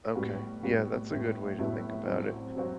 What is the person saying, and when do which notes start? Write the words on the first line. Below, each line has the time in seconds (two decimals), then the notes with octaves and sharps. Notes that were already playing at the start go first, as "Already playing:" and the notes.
Okay, yeah, that's a good way to think about it.
0.15 A2 G3 B3 F#4
0.63 A2 G3 B3 F#4
1.11 A2 G3 B3 E4
1.59 A2 G3 B3 E4
2.07 C2 C3 F#3 C4 F#4
2.56 C3 F#3 C4 F#4